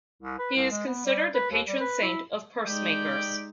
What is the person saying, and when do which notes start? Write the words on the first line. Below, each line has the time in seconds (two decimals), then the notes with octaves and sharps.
He is considered the patron saint of pursemakers.
0.22 C2
0.39 B4
0.55 C2
0.70 G#3
0.86 B3
1.05 G3
1.34 B4
1.50 D#2
1.67 G3
1.80 B4
2.02 E4
2.65 G#3 D#4 G4 D5 G5